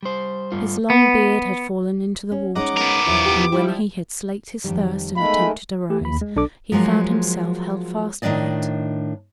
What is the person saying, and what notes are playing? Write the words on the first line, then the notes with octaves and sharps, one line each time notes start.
His long beard had fallen into the water, and when he had slaked his thirst and attempted to rise, he found himself held fast by it.
G3 C5
G2 G3 A3 F4
B3
C#4
G#3 C#4 D#4 D#5 F#5 A#5 D6
B3 A#4
E2 F3 F#3 D4 E4
G4
F3 G3 E4 G4
F2 D#3 G3
D#3 G#3 A3 B3 F5 B5
A3 G4
D#2 B5
G#3
B1 D4 A4 D6
F3 F#3 G#3 A#3
A2 D#3 B3 D4 D5 D#5